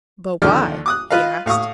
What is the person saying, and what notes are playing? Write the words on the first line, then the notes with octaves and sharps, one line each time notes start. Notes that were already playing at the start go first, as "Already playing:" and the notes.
"But why?" he asked.
D#2 D3 F3 D5 F6
D6 D#6 F#6
F4 B4 D#5 F5
A2 F5 C#6 D#6